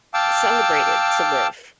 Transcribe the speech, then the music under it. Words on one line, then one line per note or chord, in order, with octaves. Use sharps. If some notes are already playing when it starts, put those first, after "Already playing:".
celebrated to live?
F5 G5 A5 D6 E6